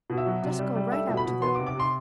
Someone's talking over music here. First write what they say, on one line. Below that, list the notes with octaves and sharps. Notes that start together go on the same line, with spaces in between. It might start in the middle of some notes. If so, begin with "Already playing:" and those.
Just go right out to them.
B2
E5
F#3
C3
G3
G3
A3 E5
B2
B5
B2
B3 C6
D6
C3
D6
C3 C6